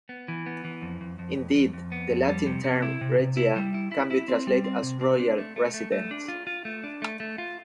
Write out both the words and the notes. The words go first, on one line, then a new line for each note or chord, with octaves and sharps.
Indeed, the Latin term "regia" can be translated as "royal residence".
B3
E3
B3
E3
F2
F2
F2
F2
F2
F2
B3
F2
G3
C3
C3
E4
C3
C3
E4
G3
E4
E4
E4
C4
G3
C4
C3
C4
D4
A3
A3
A3
A3
D4
F4
F4
A3
D4
A3
A3
F4